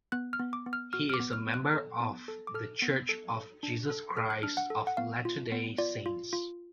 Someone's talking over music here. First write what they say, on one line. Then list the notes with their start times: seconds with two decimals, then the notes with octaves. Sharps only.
He is a member of the Church of Jesus Christ of Latter-day Saints.
0.12 B3 F#6
0.33 F6
0.39 B3
0.53 D6
0.66 B3
0.73 F6
0.93 F#4 F6
1.10 F6
1.14 D6
1.20 B3
1.33 F6
1.48 B3
1.54 F#6
1.74 A4
2.00 B3
2.28 A4
2.47 D6
2.54 A4 F6
2.82 B3
3.09 A4
3.36 A4
3.63 D4
3.90 A4
4.17 A4 F6
4.30 F#6
4.43 D4 F6
4.57 F#5
4.70 A4
4.87 F#5
4.97 B3 F5
5.25 F4
5.52 B3
5.78 F4 D5
6.06 F4
6.33 F4